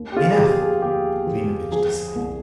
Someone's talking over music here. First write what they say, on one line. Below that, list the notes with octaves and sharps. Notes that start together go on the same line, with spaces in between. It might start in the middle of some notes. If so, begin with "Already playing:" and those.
"Enough!" Klinevitch decided.
Already playing: D#2
G4
F4
G#4
F3 G4
G#4
D#2 G4
F3
F3 G#4
C2